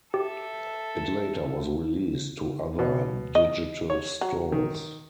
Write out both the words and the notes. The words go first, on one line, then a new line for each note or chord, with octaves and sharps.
It later was released to other digital stores.
G4 A4 E5
B2
D#5
C#5
F#3
D#3